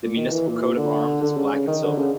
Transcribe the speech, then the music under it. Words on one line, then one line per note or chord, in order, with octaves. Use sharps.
The municipal coat of arms is black and silver.
A#2
D#3
E3
A#2
A#2
D3
D3
C#3
C#3
D#3
D3
C#3